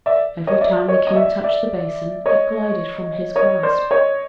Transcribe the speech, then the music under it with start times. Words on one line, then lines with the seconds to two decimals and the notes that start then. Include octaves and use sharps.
Every time the King touched the basin it glided from his grasp.
0.06 D5 E5
0.47 C#5 D#5
0.61 D5 E5
0.88 C#5 D#5
1.07 D#5
1.16 D5 E5
1.44 D5 E5
2.26 C#5 D#5
3.36 C#5 D#5
3.63 C5 D5
3.91 C#5 D#5